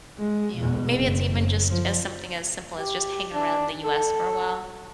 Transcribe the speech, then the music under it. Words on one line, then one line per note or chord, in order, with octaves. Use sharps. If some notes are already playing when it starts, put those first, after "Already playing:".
You know, maybe it's even just as something as simple as just hanging around the US for a while.
G#3
E2 B2
F#1
F#2
F3
G4
D4
A4